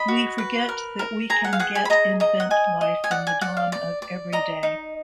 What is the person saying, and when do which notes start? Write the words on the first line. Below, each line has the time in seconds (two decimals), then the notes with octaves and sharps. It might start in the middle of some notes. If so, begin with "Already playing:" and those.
We forget that we can get invent life in the dawn of every day.
Already playing: D#5 B5
0.08 F#4
0.38 B4
0.69 A#4
0.99 A#4
1.30 G#4 A#5
1.44 F#5
1.53 F5
1.59 G#4 F#5
1.75 G#5
1.85 B5
1.90 D#5 A#5
2.20 D#5 A#5
2.40 F#5
2.50 D#5 G#5
2.81 D#5
3.04 G#5
3.11 D5 F#5
3.27 G#5
3.41 D5 F#5
3.57 F5
3.72 D5
4.02 D5
4.32 D#5 A#5
4.63 D#4